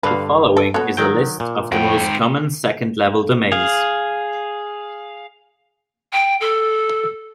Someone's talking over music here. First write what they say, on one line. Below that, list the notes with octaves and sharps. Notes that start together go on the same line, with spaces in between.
The following is a list of the most common second-level domains.
G2 D3 B4 F5
A4
B3 F#4 A4 C#5
D#3 F#3 G5
A#2
F2 G#2 F#4 G5
G#4 F5
G5
A4